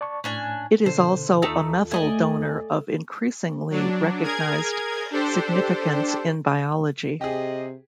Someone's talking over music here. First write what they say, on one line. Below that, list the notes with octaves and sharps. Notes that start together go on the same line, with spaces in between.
It is also a methyl donor of increasingly recognised significance in biology.
D5 A5 C#6
A2 C#4 D4 G#5
B2 D3 A4 C5
D#2 A3 D#4 F4 A4 E6
A3 D5 D#5 G#5
F#3 D4
G#4 A#4 G#6
D4 G4 A4 C5
C3 G4 G#4 D#5